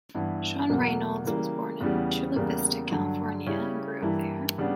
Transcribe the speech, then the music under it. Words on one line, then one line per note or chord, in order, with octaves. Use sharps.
Sean Reynolds was born in Chula Vista, California, and grew up there.
G2 E3 B3 E4
E2 B2 F#3 A#3
C#3 E3 G3 A#3
E2 C#3 E3 G3 B3
E2 C#3 G3 A#3
G2 D3 F#3
C#3 G3 C#4 E4
G2 E3 G3 A#3 E4
C#3 G3 B3 D4